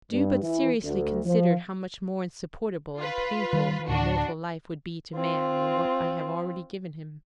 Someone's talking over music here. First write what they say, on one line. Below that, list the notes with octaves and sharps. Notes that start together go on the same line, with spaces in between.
Do but seriously consider how much more insupportable and painful an immortal life would be to man than what I have already given him.
G2
E3
D2
F3
F4 B4
D#3 G3
D2 A2 D4 F#4
C4 F4